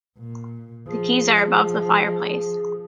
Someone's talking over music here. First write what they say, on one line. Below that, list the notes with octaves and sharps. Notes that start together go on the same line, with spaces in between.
The keys are above the fireplace.
A#2
F3 G#4